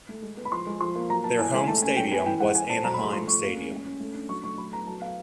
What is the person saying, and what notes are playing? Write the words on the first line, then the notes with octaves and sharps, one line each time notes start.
Their home stadium was Anaheim Stadium.
A3
G#3
B3
B5
F3 C6
G#3
F3 C6
A#3
F#3 A#5
A#3 A5
E3 G#5
G#3 G#5
A3 A5
C#4 G#5
F#3 G5
B3 G#5
E3 G5
G#3 F#5
G#3 G#5
C4 A5
F#3 A#5
B5
A3 C6
F3 C6
A3 C#6
A#3
C#4
G#3
C#4
A3
D4
F#3 C#6
A3 C#6
F#3 B5
B3 A#5
F#3 A5
B3 F5